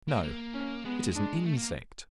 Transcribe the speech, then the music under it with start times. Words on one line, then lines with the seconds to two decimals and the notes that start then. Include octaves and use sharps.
No, it is an insect.
0.08 A#3
0.23 A#3
0.54 C#4
0.85 G#3 B3
1.16 D4
1.46 A3
1.57 A#3